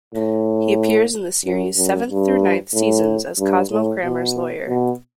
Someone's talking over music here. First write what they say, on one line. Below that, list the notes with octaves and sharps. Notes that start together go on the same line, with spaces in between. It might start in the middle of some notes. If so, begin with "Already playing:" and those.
He appears in the series' seventh through ninth seasons as Cosmo Kramer's lawyer.
A2
F#2
F#2
G2
A2
G2
A2
B2
B2